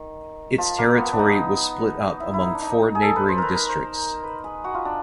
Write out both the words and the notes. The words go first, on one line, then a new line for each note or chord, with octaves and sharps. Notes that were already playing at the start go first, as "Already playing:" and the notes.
Its territory was split up among four neighboring districts.
Already playing: D#3
F3
A#3
B3
D4
D#4
E4
E4
D#4
D4
D#4
G#4
A4
B4
C5
A#4 B4
A#4
C5
B4
G#4
F#4
F4
D4